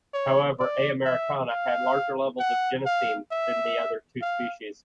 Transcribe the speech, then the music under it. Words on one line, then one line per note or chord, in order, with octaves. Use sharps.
However, "A. americana" had larger levels of genistein than the other two species.
C#5
D5
E5
F5
F#5
F5
E5
F5